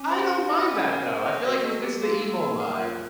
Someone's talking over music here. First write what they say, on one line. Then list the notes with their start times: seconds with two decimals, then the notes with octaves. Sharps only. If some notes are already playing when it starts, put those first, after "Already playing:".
I don't mind that, though. I feel like he fits the emo vibe.
Already playing: C#4
0.11 C5
0.30 G4
0.49 E4
0.68 C#4
0.88 A#4
1.07 C5
1.26 D#5
1.45 F#4
1.64 A4
1.83 G4
2.03 A#3
2.22 A#3
2.41 A#3
2.60 A#4
2.79 F4